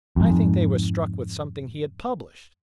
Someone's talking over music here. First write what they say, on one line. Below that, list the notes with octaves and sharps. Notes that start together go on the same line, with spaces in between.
"I think they were struck with something he had published."
F2 G#2